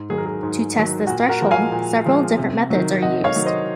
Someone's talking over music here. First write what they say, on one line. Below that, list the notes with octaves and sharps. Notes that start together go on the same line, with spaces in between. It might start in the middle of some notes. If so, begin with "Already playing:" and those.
To test this threshold, several different methods are used.
Already playing: G#2
D#3 F#3 G#4
A#4
G#4
G#2
D#3 F#3
A#2 F#4
F#4 A#4
F3 G#3
F5 G#5
A#2
F3 G#3
C3
D#3 F#3
C3 D#5 F#5
C#5 F5
D#3 F#3
C5 D#5